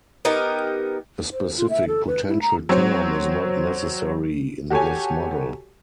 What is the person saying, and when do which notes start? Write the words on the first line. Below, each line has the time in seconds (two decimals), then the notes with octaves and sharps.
A specific potential term is not necessary in this model.
0.25 B3 D#4 G4 A#4
1.33 C5
1.58 F4
1.70 E5
1.88 A4
2.07 B4
2.28 E4
2.42 A#5
2.69 F#3 C4
4.70 F#4 G4 A4 C#5 G#5